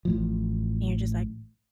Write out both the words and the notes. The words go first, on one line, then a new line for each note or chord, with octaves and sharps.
And you're just like,
A1 A2 F3